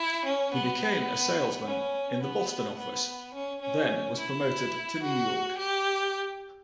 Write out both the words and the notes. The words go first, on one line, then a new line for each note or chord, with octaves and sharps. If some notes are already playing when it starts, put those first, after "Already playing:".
He became a salesman in the Boston office, then was promoted to New York.
Already playing: E4
C#4
B3
C#4
B3
B3
C#4
C#4
E4
F#4
G4